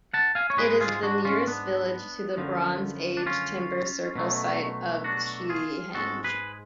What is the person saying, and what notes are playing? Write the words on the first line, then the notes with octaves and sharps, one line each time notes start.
It is the nearest village to the Bronze Age timber circle site of Seahenge.
F#5 A5
F5 G#5
C#5
G#2 G#3 G#4 B4
F4 G#4
D4 F#4
C#4 F4
B3 D4
F#2 D3 F3 A3
D4
C#4 F4
B2 F#3 A3
D4 F#4
F4 G#4
G#2 G#3 F#4 A4
G#4 B4